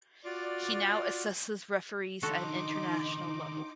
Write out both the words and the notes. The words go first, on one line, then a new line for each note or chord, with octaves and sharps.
He now assesses referees at an international level.
F4 F#4 D5
D#3 D4 D#4 F#4 A4 C6 D6